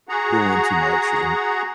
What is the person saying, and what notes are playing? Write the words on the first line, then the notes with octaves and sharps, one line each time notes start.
doing too much, and
F#4 G#4 F#5 A#5